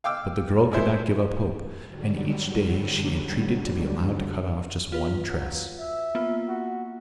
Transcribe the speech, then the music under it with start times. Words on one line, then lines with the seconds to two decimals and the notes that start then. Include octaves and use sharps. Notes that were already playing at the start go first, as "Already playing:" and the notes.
But the girl could not give up hope, and each day she entreated to be allowed to cut off just one tress.
0.04 F5 G5 D6 E6
0.72 G#3 E4 C5
1.86 G#2 D3 F#3 G3
4.92 F4 B4 F5
5.30 F#3
5.79 E5
6.15 A#3 B3 F4
6.48 F#4